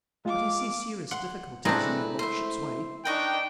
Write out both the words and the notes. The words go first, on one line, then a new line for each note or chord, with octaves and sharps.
But I see serious difficulties in your lordship's way.
G#3 F4 F5 D6
F#5 C6
G#3 A3 C4 D4 E4 B4 A#5
C5 E5
D4 D#4 B4 D#5 G5 C#6